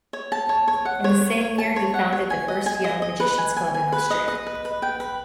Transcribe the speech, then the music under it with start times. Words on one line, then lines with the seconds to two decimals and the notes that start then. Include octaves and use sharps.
In the same year he founded the first Young Magician's Club in Austria.
0.13 C#5
0.32 A5
0.49 C#5
0.68 C#5
0.85 F#5
1.04 C#5
1.21 C#5
1.40 C#5
1.58 A5
1.76 C#5
1.94 F#5
2.13 C#5
2.30 G#5
2.48 D#5
2.66 G#5
2.84 D#5
3.02 D#5
3.20 B4
3.38 G#5
3.56 G#5
3.74 G#5
3.92 B4
4.10 D#5
4.28 D#5
4.46 B4
4.65 B4
4.82 G5
5.00 B4